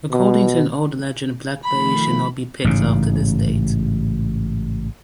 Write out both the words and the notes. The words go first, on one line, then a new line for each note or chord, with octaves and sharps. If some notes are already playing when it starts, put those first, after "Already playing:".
According to an old legend, blackberries should not be picked after this date.
B2
D#3 F3 A3 B5
A1 G#2 C#3